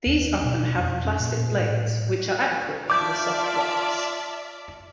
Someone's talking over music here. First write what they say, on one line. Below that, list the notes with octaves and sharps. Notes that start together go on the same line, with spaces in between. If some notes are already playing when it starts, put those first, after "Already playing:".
These often have plastic blades, which are adequate for the soft wax.
D#2
B2
F2
C#4
A#2
A2
F4 D5 E5 A5 D6 G6